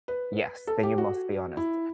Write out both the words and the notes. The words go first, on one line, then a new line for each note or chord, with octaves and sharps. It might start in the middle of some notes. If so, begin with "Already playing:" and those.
Yes, then you must be honest.
B4
A4
G4
F#4
E4